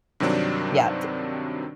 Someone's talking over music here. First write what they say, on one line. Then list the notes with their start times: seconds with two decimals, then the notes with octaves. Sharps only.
Yeah, t
0.20 G2 C3 D#3 F#3 C4 D4